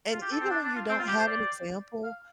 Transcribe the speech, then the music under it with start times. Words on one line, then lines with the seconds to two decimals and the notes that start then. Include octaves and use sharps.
And even when you don't have an example
0.12 F4
0.22 G4
0.32 A4
0.41 C4
0.50 D4
0.64 D4
0.76 F4
0.89 C4
0.99 F4
1.08 G4
1.17 C5
1.27 D5
2.04 F5